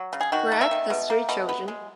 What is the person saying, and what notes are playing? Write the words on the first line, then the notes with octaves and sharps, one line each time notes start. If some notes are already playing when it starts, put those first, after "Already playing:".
Greg has three children.
Already playing: F#3
C#3
G#4
D#3 F#4
A#3
E5
D#3
B2
A#3
B2
B3
G#3